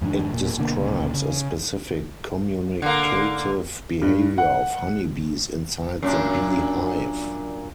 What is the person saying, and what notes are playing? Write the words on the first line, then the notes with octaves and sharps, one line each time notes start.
It describes a specific communicative behavior of honey bees inside the bee hive.
F2 G#2 D#3 D4
E1 A#2
B2 D3 A#3
D2 A#2 C#3
C#3
D3 A#3
G2
F#5
F#2 A#2 D4